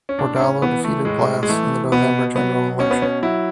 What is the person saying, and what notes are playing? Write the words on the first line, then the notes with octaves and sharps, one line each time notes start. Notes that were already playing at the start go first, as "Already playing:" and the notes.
Bordallo defeated Blas in the November general election.
C#4
A2 D4
D4
C#4
E3 B3
A3
A2 G#3
G#3
E3 A3
B2 B3
F#3 B3
B2 C#4
B3
C#4
F#3 E4